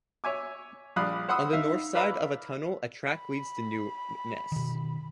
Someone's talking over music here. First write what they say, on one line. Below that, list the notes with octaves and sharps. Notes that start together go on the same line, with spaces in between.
On the north side of the tunnel, a track leads to Newnes.
C#5 E5 G#5 D6
A#1 G3 F5 B5 D#6 F#6
C5 F#5 B5 D#6 E6
D#4 E5 F5
B4 D5 E5 F5 A#5 B5
B5
B2 D#3